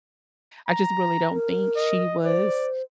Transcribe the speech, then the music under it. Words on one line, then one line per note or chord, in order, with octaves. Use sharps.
I just really don't think she was,
A#5
A#4
D#5
C5 D5